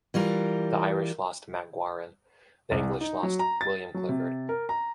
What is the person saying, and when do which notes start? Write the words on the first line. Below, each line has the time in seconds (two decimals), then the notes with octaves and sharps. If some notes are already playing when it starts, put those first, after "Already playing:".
The Irish lost MacGauran; the English lost William Clifford.
0.14 E3 G3 F4 A#4
2.71 C2
3.01 D#4
3.23 F#3
3.39 A#5
3.61 A6
3.94 F#3
4.09 C3
4.49 A#4
4.69 A#5